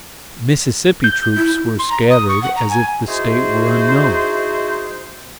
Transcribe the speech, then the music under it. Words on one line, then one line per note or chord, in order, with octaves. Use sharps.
Mississippi troops were scattered as if the State were unknown.
G6
E4
C6
A#5
D#6
C#6
F#5
A#5
G#5
D#4 E4 F#4 G#4 C5